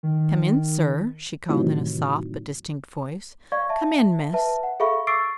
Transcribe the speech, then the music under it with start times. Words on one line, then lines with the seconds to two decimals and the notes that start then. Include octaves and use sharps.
"Come in, sir," she called in a soft but distinct voice; "come in, miss."
0.03 D#3
1.49 A2 C3 D#3 E3 F#3
3.52 D5 F5 C#6 G#6
3.69 E5 A5
4.33 B4 E5 A5
4.63 F#5
4.80 G#4 A4 E5 F5 B5 C#6
5.07 C#6 D6 E6 A6 C7 D7